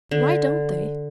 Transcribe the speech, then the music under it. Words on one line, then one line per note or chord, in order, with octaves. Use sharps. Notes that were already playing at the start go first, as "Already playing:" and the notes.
Why don't they?
D3